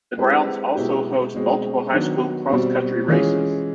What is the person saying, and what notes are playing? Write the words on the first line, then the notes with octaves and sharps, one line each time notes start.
The grounds also host multiple high school cross country races.
G#3 C4 E4 G4 B4
B2 G#3 B3 E4 G4
B2 G#3 C4
D#3 F#3 B3 D4 F#4
B2 G3 C4
E3 G#3 C#4 F4 G#4